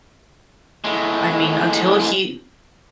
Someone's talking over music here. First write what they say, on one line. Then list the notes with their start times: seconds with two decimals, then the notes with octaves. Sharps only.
I mean, until he,
0.84 A2 G#3